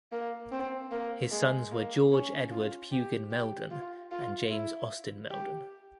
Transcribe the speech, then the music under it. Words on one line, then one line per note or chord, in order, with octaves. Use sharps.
His sons were George Edward Pugin Meldon and James Austin Meldon.
A#3
C4
A#3
G#3
A#3
C#4
F4
G4
G4
F4
F4
E4
G4